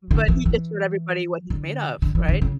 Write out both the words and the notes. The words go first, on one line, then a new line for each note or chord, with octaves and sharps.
But, he just showed everybody what he's made of, right?
D3
E3
E3
D3
D3
E3
D3
C#3